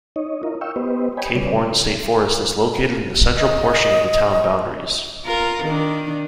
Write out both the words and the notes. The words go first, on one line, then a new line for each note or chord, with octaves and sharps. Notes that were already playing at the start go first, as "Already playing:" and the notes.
Cape Horn State Forest is located in the central portion of the town boundaries.
D#4 C#5 D#5
E4 F4 A#4 D#5
D#5 F5 G5 C#6 E6
B3 G4 B4 C5 D#5
C#5 D#5 G5 G#5 B5
C#3 G3 B4 C#5 D5
D#5
F4 A#4
D#3 D4